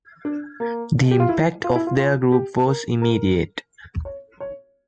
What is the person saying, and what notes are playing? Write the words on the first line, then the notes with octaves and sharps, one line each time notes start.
The impact of their group was immediate.
D4
A#3
G4
F4
E4
F4
E4
F4
F4
G4
A#4
A#4
C#5
C#5